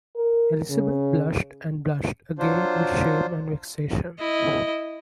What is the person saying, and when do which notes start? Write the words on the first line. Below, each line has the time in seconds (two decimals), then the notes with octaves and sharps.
Elizabeth blushed and blushed again with shame and vexation.
0.16 A#4
0.70 C#3
2.39 F#3 D4 F4 C5
4.18 E4 D#5